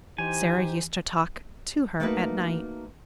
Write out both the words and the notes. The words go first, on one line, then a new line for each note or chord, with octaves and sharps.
Sara used to talk to her at night.
E3 D#4 G4 C5 G#5
A3 A#3 D#4 F#4 B4